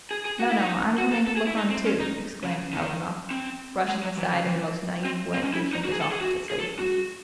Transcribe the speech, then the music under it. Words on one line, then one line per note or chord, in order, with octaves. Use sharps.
"No, no, I'm coming to look on, too," exclaimed Kalganov, brushing aside in the most naive way Grushenka's offer to sit with him.
G#4
G#4
F#4
E4
D#4
F#4
A4
A4
G#4
E4
D#4
C4
C#4
D#4
C#3
D#3
C4
G#3
F#3
E3
C#3
E3
C4
C4
C#4
E4
D#4
F#4
G#4
A4
G#4
F#4
G#4
A4
F#4